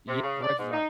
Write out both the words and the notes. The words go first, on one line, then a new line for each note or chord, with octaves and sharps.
yeah, corrections are
C3
C#3
D5
G#2
D#4